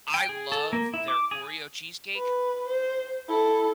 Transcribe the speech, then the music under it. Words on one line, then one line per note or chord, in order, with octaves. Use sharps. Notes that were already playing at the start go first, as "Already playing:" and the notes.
I love their Oreo cheesecake.
G5
G#4
A4
A#3
E4
D6
G#4
B4
C5
E4 A4